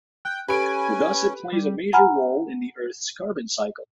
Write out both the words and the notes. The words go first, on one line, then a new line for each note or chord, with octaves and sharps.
Thus it plays a major role in the Earth's carbon cycle.
G5 F#6
C#4 G4 A4 B4 G#5 D7
G3
F#5 G#5 A#5 B5 F6